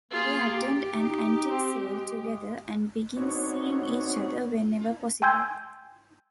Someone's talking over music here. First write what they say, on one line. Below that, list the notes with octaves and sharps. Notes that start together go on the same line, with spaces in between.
They attend an antique sale together and begin seeing each other whenever possible.
A#3 F4 G#4
G4
D#4
C4
G#3
G#3
B3 C4 D4 D#4 F#4 C#5
G5 G#5 C6 E6 G6 G#6